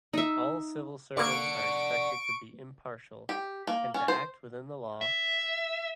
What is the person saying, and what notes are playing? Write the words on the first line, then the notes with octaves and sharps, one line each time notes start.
All civil servants are expected to be impartial, and to act within the law.
D#4 E5
D3 A#3 D5 F#5 C#6 D7
G4
A#3
C#4
C5
E5